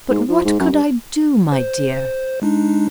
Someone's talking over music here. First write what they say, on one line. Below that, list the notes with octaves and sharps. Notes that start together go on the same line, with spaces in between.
'But what could I do, my dear?
G#2
F3
G#2
F#2
G2
C5
G#3 D4 D#4